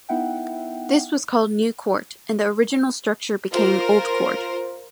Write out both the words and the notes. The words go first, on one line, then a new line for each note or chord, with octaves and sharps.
This was called "New Court", and the original structure became "Old Court".
B3 D#4 E4 E5 F#5 G5
F4 A#4 C5